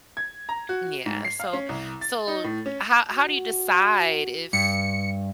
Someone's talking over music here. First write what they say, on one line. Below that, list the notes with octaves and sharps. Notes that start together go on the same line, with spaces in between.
Yeah. So so how how do you decide if
G#6
A#5
F#4
G#2
C7
F5
C#4
C2
A6
D#4
A2
C#4
F#4
G2 C#7